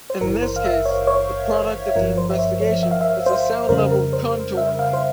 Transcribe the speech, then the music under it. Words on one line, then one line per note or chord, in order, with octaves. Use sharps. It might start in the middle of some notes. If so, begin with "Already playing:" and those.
In this case the product of the investigation is a sound level contour map.
C5
G#1 G2 E3 A#4
C5
F5
E5
C#5
C#5
G1 G2 F3 A#4
C5
E5
C#5
C#5
E5
F5
E5
C5
F2 C#3 G3 A#4
A#4
C5
E5
F5
C5